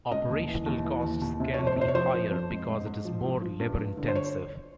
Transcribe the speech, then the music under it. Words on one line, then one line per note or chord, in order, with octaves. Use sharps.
Operational costs can be higher because it is more labor-intensive.
C#2 D#5
D#2
E3
D#2
E3
D#2
D#2
C3
C#5
F2
C5
C3
C5
C#5
F3 C5
F3
F2
G#2
G#2
G#2
F3
F3
F3
G2
G2
D3
C5
C#5